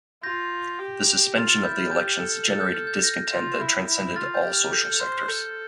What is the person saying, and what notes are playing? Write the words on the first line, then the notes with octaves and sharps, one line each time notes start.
The suspension of the elections generated discontent that transcended all social sectors.
F4 G6 A#6
G4
F4 F6 A6
F6 A6
E4 G6
F6
G4 G6
A4
A6
G6
F6
G6
G6 A#6
F4
E4
E4
F4 F6 A6
G6
G4
F6
A4 G6
C5
A4 G6